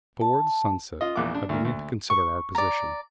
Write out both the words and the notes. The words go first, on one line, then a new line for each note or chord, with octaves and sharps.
Towards sunset I began to consider our position.
A5
F4 D#5
A#1 E2 D6
D4
D2 A#3
D2
C#6
D5 A#5